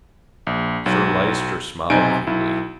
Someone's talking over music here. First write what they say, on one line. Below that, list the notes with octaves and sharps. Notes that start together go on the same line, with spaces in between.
Sir Lyster smiled feebly.
A#1
B1 F#3
B1 C3 D#4 G#5 D7
B1 E4